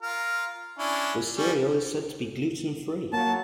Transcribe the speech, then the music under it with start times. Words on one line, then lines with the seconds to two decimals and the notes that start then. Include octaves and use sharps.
The cereal is said to be gluten free.
0.02 F4 A#4
0.78 C#4 D4 E4
1.36 G3 C#4
3.13 F#3 A#3 A5